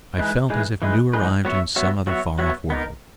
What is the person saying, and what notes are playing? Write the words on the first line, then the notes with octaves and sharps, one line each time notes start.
I felt as if new-arrived in some other far-off world.
E3 G#3 D#4 G#4 B4
E3 G#3 D#4 G#4 B4
E3 G#3 D#4 G#4 B4
E3 G#3 D#4 G#4 B4
F#3 B3 F#4 C#5 E5
F#3 B3 F#4 C#5 E5
F#3 B3 F#4 C#5 E5
F#3 B3 F#4 C#5 E5
B3 D#4 A#4